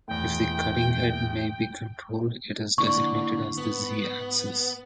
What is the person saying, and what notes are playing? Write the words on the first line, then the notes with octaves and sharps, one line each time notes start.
If the cutting head may be controlled, it is designated as the Z-axis.
E2 A2 G5
D3 A#3 E4 D5 C#6
G#2 B3